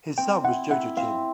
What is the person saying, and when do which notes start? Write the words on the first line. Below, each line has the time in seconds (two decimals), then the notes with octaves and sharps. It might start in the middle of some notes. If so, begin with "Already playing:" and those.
His son was Jojachin.
0.18 C4 G5
0.44 E4 F#5
0.70 E4 F#5
0.97 C4 F5